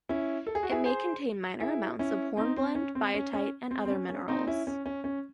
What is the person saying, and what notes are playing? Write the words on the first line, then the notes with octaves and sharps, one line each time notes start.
It may contain minor amounts of hornblende, biotite and other minerals.
C#4 E4
A4
G#4
F#4
E4 G#4
G#4 C5
E4 G#4
C#4 E4
C4 D#4
C4
C#4
C4
C#4
C#4
C4
C4
C#4
C#4
C4 D#4
C#4 E4
C#4
C#4
C#4